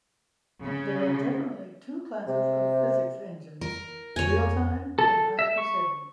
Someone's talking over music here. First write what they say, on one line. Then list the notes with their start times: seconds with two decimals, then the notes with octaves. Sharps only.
There are generally two classes of physics engines: real-time and high-precision.
0.65 C#3
2.28 C3
3.61 A#4
4.16 F2 C#5 G#5
4.99 A4
5.39 E5
5.58 C#6